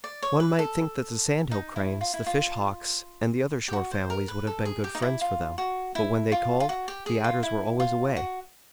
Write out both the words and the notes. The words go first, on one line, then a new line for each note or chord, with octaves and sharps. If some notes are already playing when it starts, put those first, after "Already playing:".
One might think that the Sand-Hill Cranes, the Fish Hawks, and the other shore families would have been good friends for them, but when they called, the Adders were always away.
D5
C#5
B4
A4
D#4
E4
F4
E4
F4
G4
F#4
C5
A#4
B4
A4
G#4
G4
D#4
E4
F4
F#4
E4
F4
F4
F#4
G4
G#4
F4
E4
F4
F#4